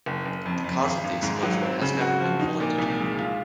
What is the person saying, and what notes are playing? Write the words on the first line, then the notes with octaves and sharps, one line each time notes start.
The cause of the explosion has never been fully determined.
F#1
F#1
F2
F2
G#1
G#1
G#2
F#3
C4
C#3
F#4
F3
D#4
A#2
C2
G#3
F4